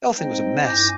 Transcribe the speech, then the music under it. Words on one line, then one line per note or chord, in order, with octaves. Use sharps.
The whole thing was a mess.
G#3 C4 D#4 C5 D#5 G5
G2 E4 G#5 D6 G6 A#6